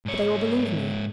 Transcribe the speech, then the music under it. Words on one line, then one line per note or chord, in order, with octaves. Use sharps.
But they will believe me.
G#2 C#5